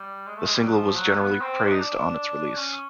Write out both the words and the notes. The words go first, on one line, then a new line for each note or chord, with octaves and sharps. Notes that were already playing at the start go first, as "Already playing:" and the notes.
The single was generally praised on its release.
Already playing: G3
G#3
A3
G#3
G3
F#3
F3
F#3
B3
C4
D4
D#4
D4
C#4